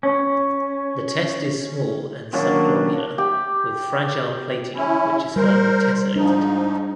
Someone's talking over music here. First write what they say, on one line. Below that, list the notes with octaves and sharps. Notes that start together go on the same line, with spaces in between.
The test is small and subglobular with fragile plating which is firmly tessellated.
C#4
D#3 F#3 A#3 C#4 D4
G4
C#4 E4
G3 A#4 C5
G#2 F3 D4 D#4